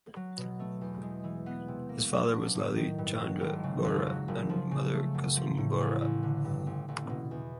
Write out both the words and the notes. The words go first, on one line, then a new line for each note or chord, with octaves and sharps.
His father was Lalit Chandra Bora and mother Kusum Bora.
F#3
B2
A3
E2
G#3
E3
B3
C3
A#3
F#3
D4
A2
D#3
G2
F#3
G#1
C#3
F2
F#3
F#1
F3
C#3
A3
F#2
F3
A2
A1
A1
D3
G2
A1
A1
B2
E2